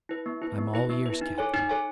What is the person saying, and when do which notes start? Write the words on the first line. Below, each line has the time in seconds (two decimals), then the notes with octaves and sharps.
"I'm all ears, captain."
0.09 E4 B4
0.26 B3
0.42 E4 B4
0.58 B3
0.74 E4 B4
0.89 B3
1.06 E4 B4
1.21 D#4
1.38 A4 C#5 G#5
1.54 D#4
1.69 A4 C#5 G#5